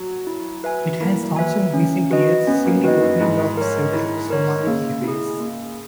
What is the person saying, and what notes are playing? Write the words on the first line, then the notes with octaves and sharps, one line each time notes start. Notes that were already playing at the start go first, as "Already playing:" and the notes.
It has also in recent years seen the opening of several Somali cafes.
Already playing: F#3
E4
B4 E5 G#5
A#3 E4
B4 E5 G#5
C#4
F#4 B4 D#5
B3 C#4
A#3
D#3 F#4 B4 D#5
F#2
G#2 E4
A#4 C#5
E4
A#4 C#5
C#3 A#3
E4 G#4
A#3